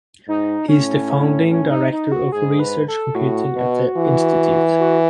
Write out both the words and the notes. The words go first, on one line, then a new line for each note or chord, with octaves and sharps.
He is the founding director of Research Computing at the institute.
G#2 D#4
A2 C#4
C#4
D#4
D#4
F#4
G#2 G#4
B4
A4
A2 F#4
B2
E3
F#4